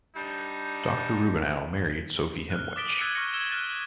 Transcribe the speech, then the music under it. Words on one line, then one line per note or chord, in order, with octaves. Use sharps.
Doctor Rubinow married Sophie Himwich.
G3 D4 D#4
F6 F#6
D6 D#6 A6 B6 D7 G7
E6 F#6 G#6 A6 D#7 G7
C#6 F6 F#6 A6 A#6 C#7
E6 G#6 E7 G7
F6 F#6 A6